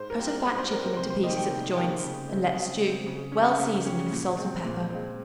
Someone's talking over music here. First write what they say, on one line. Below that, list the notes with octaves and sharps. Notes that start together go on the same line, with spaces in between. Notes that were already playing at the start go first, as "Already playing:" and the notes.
Cut a fat chicken into pieces at the joints and let stew, well seasoned with salt and pepper.
Already playing: G#2 C5
A#4
G3 C4
A#4
G#2
C5
G3 C4 A#4
A#4
C3 C5
C5
D#3 G3 A#3 D#5
G5
C3
D#3 G3 A#3 G5
C#3
G#3 C4
C#3
G#3 C4
C#3
G3 C#4
C#3
G3 C#4
A#2
G#3 C4
A#2
G#3 C4